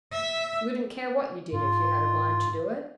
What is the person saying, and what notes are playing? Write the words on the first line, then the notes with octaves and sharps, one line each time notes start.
'You wouldn't care what you did if you had a mind to do it.'
E5
G#2 F4